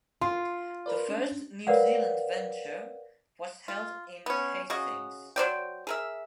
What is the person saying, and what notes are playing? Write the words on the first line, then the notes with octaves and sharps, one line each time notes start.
The first New Zealand venture was held in Hastings.
F4 C6
A#4 B4 D5
C#4 D4
A#4 B4 C#5 D5 F5 F#5
F4
B3 C#4
C#3 F#4 D#5
F#3 C5 D5 G5
G#4 A#4 E5